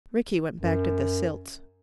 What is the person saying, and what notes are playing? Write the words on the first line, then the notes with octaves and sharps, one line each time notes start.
Rickie went back to the Silts.
F#2